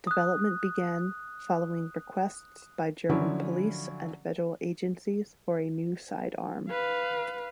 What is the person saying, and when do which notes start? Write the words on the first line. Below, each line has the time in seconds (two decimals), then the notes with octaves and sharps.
Development began following requests by German police and federal agencies for a new sidearm.
0.07 D#6 F#6
3.09 D3 F3 F#3 C#4 D4 E4
6.70 B4 F5